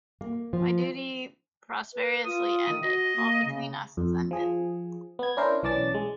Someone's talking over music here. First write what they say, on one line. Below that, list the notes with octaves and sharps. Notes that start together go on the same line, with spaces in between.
My duty prosperously ended, all between us is ended.
A#3
F3
B4
F4 D#6
D#3
F#4 D#5
A#3
C#3
F2
F3 G#4
B3 G#6
C#4 D4 E4 A#4 C5
B1 E3 C#4 D5 A5 A6
G#3